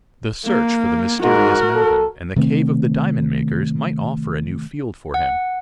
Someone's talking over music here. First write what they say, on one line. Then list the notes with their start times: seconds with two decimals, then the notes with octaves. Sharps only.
The search for the mysterious mountain, and the cave of the diamond makers, might offer a new field for him.
0.46 A#3
1.23 G#2 F#4 A#4
1.75 A4
2.36 C3 D#3 A3 C4
5.14 F#5